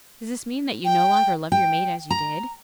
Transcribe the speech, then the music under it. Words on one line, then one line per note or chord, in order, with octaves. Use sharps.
Does this mean that you no longer love your mate as you did?
G5
G5
A#5